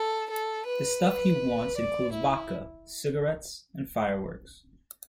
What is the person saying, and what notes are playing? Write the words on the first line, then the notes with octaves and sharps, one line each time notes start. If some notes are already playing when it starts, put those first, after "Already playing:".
The stuff he wants includes vodka, cigarettes and fireworks.
Already playing: A4
A4
B4
D5
E4